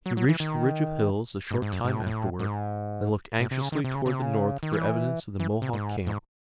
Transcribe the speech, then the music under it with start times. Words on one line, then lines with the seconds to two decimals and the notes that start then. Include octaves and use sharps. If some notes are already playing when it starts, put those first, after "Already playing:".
He reached the ridge of hills a short time afterward, and looked anxiously toward the north for evidence of the Mohawk camp.
0.06 F#3
0.17 F#3
0.29 E3
0.40 D#3
1.51 G#2
1.62 G#2
1.72 F#2
1.85 G#2
1.95 A2
2.07 A2
2.39 G#2
3.40 A2
3.51 C3
3.61 C#3
3.72 D#3
3.84 C3
3.95 C#3
4.06 C#3
4.14 C3
4.22 C#3
4.63 D#3
4.73 E3
5.40 E3
5.62 C3
5.73 G#2
6.07 G#2